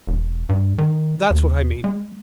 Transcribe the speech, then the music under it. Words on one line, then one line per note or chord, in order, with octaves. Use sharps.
That's what I mean.
E1
G2
D#3
D#2
G#3